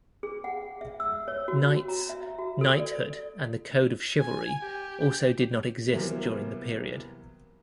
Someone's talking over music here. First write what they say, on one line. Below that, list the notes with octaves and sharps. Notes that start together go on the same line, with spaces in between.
Knights, knighthood and the code of chivalry also did not exist during the period.
G#4
F#5
E5
E6
C#5
F#4
F#4
A#5
E5
F#4
A4
D5
G#5
G4
C3 E3 F#3 G3 A#3 B3